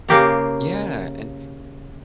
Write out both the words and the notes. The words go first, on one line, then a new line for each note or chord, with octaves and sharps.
Yeah, and
C#3 A#3 G4 A#5